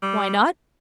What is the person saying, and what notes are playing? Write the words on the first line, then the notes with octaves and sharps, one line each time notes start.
"Why not?"
G3